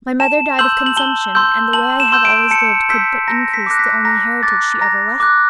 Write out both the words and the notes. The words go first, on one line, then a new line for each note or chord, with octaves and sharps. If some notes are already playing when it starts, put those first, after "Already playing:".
My mother died of consumption, and the way I have always lived could but increase the only heritage she ever left me.
A5 E7
C6 E6 G6 F#7
F#7
A5 G7
C6 E6 G6
A5 F#7
E7
C6 E6 G6
D7
A5 C#7
C6 E6 G6 B6
A#5 A#6
B6
D6 F#6 A#6
B6
A#5 A#6
D6 F#6 A6
A#5 A#6
D6 F#6